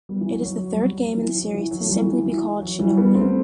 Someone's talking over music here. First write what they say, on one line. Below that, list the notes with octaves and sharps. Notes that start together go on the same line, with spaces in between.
It is the third game in the series to simply be called "Shinobi".
G3 B3
E3
F#3
F#3
G3
F#3
F#3
E3
F#3
E3
F#3
A3
E3 G3
E3
E3
F#3
E3 G3
G3 B3
A3 C4